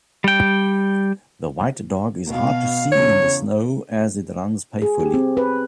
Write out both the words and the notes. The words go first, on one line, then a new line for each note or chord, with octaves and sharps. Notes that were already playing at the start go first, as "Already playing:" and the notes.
The white dog is hard to see in the snow as it runs payfully.
G3 G5
B2 F5
E2 C#3 C#5
G#4
G4
C4
B4